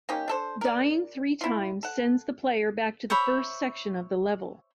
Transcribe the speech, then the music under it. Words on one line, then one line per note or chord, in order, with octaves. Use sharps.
Dying three times sends the player back to the first section of the level.
A#3 C#4 D#4 G4
D4 A4 C5
A#4 D5
E4 F4
A4 F#5
C5 C#5 E5 B5